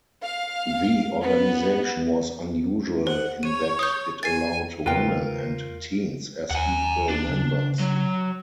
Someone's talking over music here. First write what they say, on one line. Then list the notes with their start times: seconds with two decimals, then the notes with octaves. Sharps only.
The organization was unusual in that it allowed women and teens as equal members.
0.24 F5
1.22 B3
3.07 C5 F#5
3.43 C#5 D#7
3.79 D#6 G6
4.23 G#5 A6 C7
4.86 E2 C#3 F4 A#4 B4 G5 F6
6.51 D#2 F#5 G#5
7.09 D4
7.29 C#3
7.80 F#3